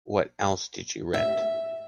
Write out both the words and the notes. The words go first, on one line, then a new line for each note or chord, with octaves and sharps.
What else did you rent?
E5